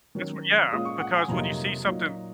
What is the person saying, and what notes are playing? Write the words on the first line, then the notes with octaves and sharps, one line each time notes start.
That's what yeah, because when you see something
D#3 F#3 C#4
A#2 G#3 C#4 F4 D#6
C#6
F#5
G#5
F2 C3 F#3 A#3 D#4 A#5
A#2 F#3 A#3 D#4